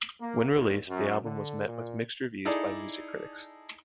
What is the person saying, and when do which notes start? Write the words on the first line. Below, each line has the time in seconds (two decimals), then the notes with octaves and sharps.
When released, the album was met with mixed reviews by music critics.
0.21 A#3
0.56 D#2
0.89 F#2
1.23 D3
1.66 A#2
2.45 D#4 E4 G#4 A4 D5 A5